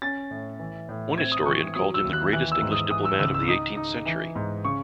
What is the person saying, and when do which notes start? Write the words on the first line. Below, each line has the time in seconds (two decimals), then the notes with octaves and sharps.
One historian called him the greatest English diplomat of the eighteenth century.
0.02 C#4 A6
0.31 A2
0.59 E3
0.89 A2
1.18 C4 G#6
1.32 D#6
1.46 E3 C#6
1.76 F#3 D#6
1.94 E6
2.05 D#2
2.13 F#6
2.33 E3 F#6
2.52 E6
2.62 G#2
2.72 D#6
2.91 E3 D#6
3.05 E6
3.19 C#2 E6
3.34 E6
3.48 D#4 D#6
3.77 D#4
4.06 E3
4.35 G#2
4.65 C#3 C#6